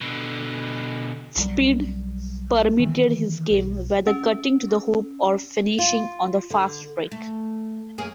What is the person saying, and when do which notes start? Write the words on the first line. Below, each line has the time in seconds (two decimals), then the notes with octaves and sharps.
Speed permeated his game, whether cutting to the hoop or finishing on the fast-break.
0.01 B2 D3
1.36 B1 F#3 G3
2.79 D#3 E3
3.50 B1
4.07 C#4
5.79 F4
6.50 D3
7.12 A3
7.98 F#2 A#3 G#4